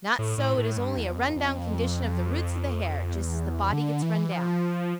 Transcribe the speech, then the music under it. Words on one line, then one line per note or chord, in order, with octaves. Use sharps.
Not so, it is only a run down condition of the roots of the hair--just as the body gets run down.
A2
A2
A2
G2
E2
F2
F2
E2
D3
E3
F3